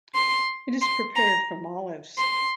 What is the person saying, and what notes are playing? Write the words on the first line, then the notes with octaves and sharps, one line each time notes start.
It is prepared from olives.
C6
C6
A#5
C6